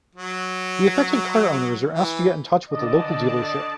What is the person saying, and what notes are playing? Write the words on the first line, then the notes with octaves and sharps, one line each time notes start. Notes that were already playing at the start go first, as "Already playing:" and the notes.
The affected car owners are asked to get in touch with a local dealership.
F#3
E3
D3 D5 D#5 A5